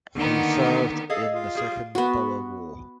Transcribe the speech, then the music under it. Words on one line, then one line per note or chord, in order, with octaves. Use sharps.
He served in the Second Boer War.
D3 D#3 A#3 B3 D#4
G#4 A4 D#5 F5
F4
G3 G#4
B3 F#4